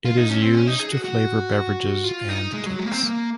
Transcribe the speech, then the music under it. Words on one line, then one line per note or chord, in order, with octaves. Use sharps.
It is used to flavor beverages and cakes.
F4
D#4
C#4
C4
C#4
D#4
G#4
F#4
F#4
F4
D#4
G#3
F#3
G#3
A#3
C4
A#3